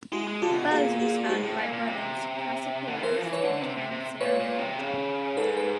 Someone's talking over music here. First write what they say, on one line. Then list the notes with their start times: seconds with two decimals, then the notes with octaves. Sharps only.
Phuz was founded by brothers Casapaos and Ken Sarmiento.
0.12 G#3 E4 F#4
0.27 G#3
0.42 D3 F4 G4
0.51 C3
0.56 B2
0.70 A#2 F#4 G#4
0.99 F#4 G#4
1.25 G4
1.29 G#2 F#4 G#4
1.43 A2
1.58 A#2
1.73 A#2
1.88 C3
2.87 D3
2.96 D#3
3.03 E3 A#4 C5
3.16 F3
3.24 E3
3.33 B4 C#5
3.43 D3
3.62 C3
3.77 C3
3.91 C3
4.20 A#2 B4 C#5
4.40 A#2
4.59 C3
4.79 C#3
5.37 G#2 A4 B4
5.57 B4